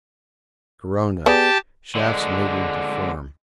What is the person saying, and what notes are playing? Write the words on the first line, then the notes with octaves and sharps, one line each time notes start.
Corona: shafts meeting to form.
B3 G4 G#4 D5 A5
D3 G#3